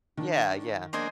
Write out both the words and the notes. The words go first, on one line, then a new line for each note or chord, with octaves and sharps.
Yeah, yeah.
D#3 D4
C#3 F3 A#3 B3 D4 C5 D#5 G#5